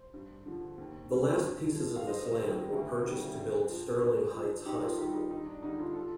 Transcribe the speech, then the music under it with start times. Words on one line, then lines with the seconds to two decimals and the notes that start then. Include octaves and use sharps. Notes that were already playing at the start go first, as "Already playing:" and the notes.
The last pieces of this land were purchased to build Sterling Heights High School.
Already playing: C5
0.13 G2
0.46 D3 F3
0.78 D#2
1.11 D3 G3
1.43 G2
1.75 F3
1.96 F5
2.07 G2 C5 D#5
2.39 D#3 G3
2.73 D2
3.05 C3 D#3 G3
3.36 G2
3.68 F3
4.01 G2
4.33 F3
4.65 G2 D#4 G4
4.82 F4 A4
4.98 D#3 G3 D#4 G4
5.14 D#4 G4
5.30 G2 D#4
5.46 D4
5.63 D3 G3 D#4
5.79 D4 F4
5.95 F4 A4